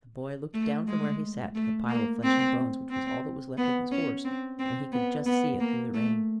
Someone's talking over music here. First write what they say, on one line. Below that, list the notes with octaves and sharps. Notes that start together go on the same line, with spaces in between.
The boy looked down from where he sat to the pile of flesh and bones, which was all that was left of his horse, and he could just see it through the rain.
A3
G#3
A3
A#3
C4
C4
B3
C#4
C4
C4
B3
B3
A#3
A3